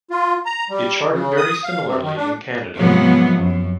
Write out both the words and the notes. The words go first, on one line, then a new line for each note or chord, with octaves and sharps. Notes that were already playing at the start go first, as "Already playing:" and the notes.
It charted very similarly in Canada.
F4
A#5
G3
C#3
D#6
F5
C3
D#3
D4
G#2 C3 F3 F#3 B3
F#2